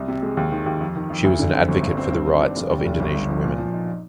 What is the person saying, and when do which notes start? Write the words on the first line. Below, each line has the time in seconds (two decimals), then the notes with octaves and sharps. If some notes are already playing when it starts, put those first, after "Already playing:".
She was an advocate for the rights of Indonesian women.
Already playing: C2
0.08 C3
0.22 G#3
0.37 D#2
0.52 D#3
0.66 D#2
0.80 F2
0.95 D#3
1.10 F2
1.24 D2
1.39 D3
1.54 C4
1.68 G1
1.83 G2
1.97 C4
2.12 G2
2.27 D#3
2.41 D4
2.56 F1
2.70 D#2
2.85 F1
3.00 G1
3.14 G2
3.28 F3
3.44 A#2
3.58 F3
3.73 D#4